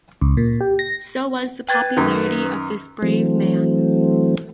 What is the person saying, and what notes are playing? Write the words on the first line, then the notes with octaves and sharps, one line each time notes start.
So was the popularity of this brave man.
C#2
A#2
G4
A#6
B4 G5 G#6 A6
F#2 D#3 C#4
E3 F#3 A3 C4